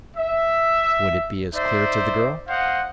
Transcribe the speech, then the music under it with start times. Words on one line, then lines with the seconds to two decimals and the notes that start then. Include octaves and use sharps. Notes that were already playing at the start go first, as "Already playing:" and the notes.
Would it be as clear to the girl?
0.17 E5
1.54 D#4 C5 D5 E5
2.48 C5 D#5 F5 F#5